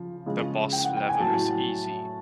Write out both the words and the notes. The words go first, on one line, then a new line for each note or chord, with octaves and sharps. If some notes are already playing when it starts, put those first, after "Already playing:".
The boss level is easy.
Already playing: C#3 F3
C#3 F3 G#3
G5
F#5
G5
G#5
A2 F#3 A5